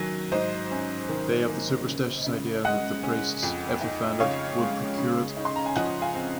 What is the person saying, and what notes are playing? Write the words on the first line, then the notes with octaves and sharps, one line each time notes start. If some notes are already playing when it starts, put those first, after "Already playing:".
They have the superstitious idea that the priests, if offended, would procure it.
Already playing: D#3 F#3 C#4
G#2 C5 D#5
C#4
D#3
A#3
C#3
C#3
G#3 D#5 F#5
C#4
F2
D#4
C#3 C#5 F5
G#3
C#3
D#4
C6
A#5
G#5
F3 D#5 F#5
F5 G#5
C4